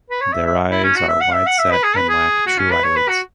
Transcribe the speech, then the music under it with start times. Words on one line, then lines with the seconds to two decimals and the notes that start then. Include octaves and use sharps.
Their eyes are wide-set and lack true eyelids.
0.10 B4
0.21 C#5
0.33 E5
0.46 E5
0.71 E4
0.84 C#4
0.96 F#4
1.08 E5
1.21 F#5
1.33 E5
1.46 F#5
1.59 E5
1.71 B4
1.83 G#4
1.96 B4
2.09 G#4
2.47 F#4
2.58 C#4
2.71 B4
2.84 C#5
2.96 B4
3.09 F#4